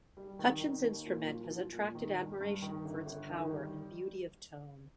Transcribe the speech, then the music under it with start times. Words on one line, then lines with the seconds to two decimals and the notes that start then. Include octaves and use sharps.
Hutchins's instrument has attracted admiration for its power and beauty of tone.
0.17 G3
0.39 D#3
0.61 D#3
0.84 D#2
1.05 A#2
1.28 F3
1.50 F3
1.73 A#2
1.95 D#3
2.18 G2
2.41 G2
2.62 D#3
2.85 G1
3.07 G1
3.30 D#3
3.52 G3